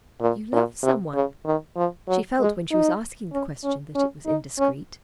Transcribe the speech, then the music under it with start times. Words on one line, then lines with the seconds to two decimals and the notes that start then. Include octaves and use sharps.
"But you love some one?" She felt when she was asking the question that it was indiscreet.
0.21 A#2
0.53 A#2
0.83 C3
1.14 C#3
1.45 D#3
1.77 F3
2.08 F#3
2.40 G#3
2.71 D#4
3.32 C#4
3.64 C#4
3.95 C#4
4.26 D#4
4.58 C#4